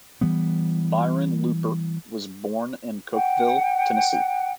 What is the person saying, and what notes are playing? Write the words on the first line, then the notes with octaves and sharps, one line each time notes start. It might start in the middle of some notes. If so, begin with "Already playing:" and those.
Byron Looper was born in Cookeville, Tennessee.
E3 G3 B3
F#5 G5